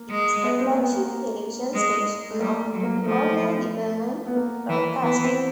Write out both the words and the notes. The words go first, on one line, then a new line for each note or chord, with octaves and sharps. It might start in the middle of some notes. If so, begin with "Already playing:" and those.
It is the flagship television station of owner Liberman Broadcasting.
Already playing: A#3
G#3
B3
C4
A#3
B3
A#3
G#3
A3
G3 A#3
A3
F#3
A#3
A#3
F3 A3
B3
A#3
E3
E3 B3
C4